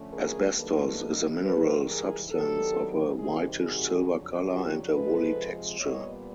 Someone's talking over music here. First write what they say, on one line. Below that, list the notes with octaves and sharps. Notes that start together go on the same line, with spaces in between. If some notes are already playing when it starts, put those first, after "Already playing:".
Asbestos is a mineral substance of a whitish silver color and a woolly texture.
Already playing: D3 F3 A3 C#4
G#4 A#4
F#2 D#3 G3 A#3 D#4 A4 B4
G#2 E3 G3 A4 B4
G#4 A#4
D#3 F#3 B3 D4 G4 A4
C3 D#3 G3 C4 D#4 F#4 G#4
F#4 G#4
F2 D3 F#3
F4 G4
C3 F3 G#3 A4 B4
A#2 G3 B3 C#5 D#5